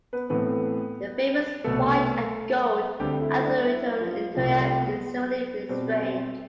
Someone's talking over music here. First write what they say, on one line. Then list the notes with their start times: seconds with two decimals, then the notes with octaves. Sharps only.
The famous white and gold auditorium interior is similarly restrained.
0.13 B3 B4
0.30 A2 E3 A3 B3 C4 B4
1.64 C2 B2 A3 B3 A4
2.99 D2 D3 G3 A3 C4 G4
3.22 E4
3.40 E4
3.45 D4
3.67 E4
4.01 F3 F4
4.34 C2 C3 F3 A3 E4
4.57 G3 G4
4.79 B3 B4
5.69 B2 G3 C4 C5
6.03 C4 C5